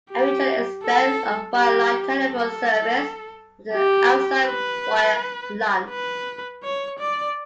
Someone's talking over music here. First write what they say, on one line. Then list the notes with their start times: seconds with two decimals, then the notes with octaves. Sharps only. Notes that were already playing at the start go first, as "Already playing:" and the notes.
A major expense of wire-line telephone service is the outside wire plant.
0.11 G4
0.83 A4
1.55 G4
2.28 A4
3.72 G4
4.46 B4
5.91 B4
6.63 C#5
6.99 D5